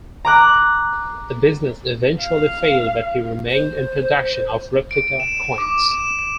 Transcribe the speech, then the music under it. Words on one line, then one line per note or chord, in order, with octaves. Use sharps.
The business eventually failed but he remained in production of replica coins.
A#5 D6 F#6
F5
C5
D7
E7
D6
E7
E7